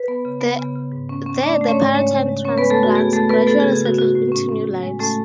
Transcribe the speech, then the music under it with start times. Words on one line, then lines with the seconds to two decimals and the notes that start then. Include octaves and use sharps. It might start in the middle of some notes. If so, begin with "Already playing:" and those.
There the paratime transplants gradually settle into new lives.
Already playing: B4
0.08 B3
0.25 C#3
0.41 B3
0.59 C#3
0.76 C#3
0.92 G#2
1.09 C#4
1.26 C#4
1.43 A3 D4 D5
1.61 A3
1.68 C#4 C#5
1.77 G#2
1.94 G#3 C#4 C#5
2.11 C#3
2.29 G#3
2.45 C#4 C#5
2.58 G#3 B3 B4
2.70 A3 A4
2.79 G#3 F#4
2.95 B3 G#4
3.12 A3 B3 A4
3.29 B3 B4
3.46 A3 B3 A4
3.60 C#3 G#4
3.73 G#4
3.81 C#3 F#4
3.98 A2 F#4
4.15 A2
4.32 C#4
4.49 C#4
4.66 A2
4.83 G#3
4.99 A3 C#4 A4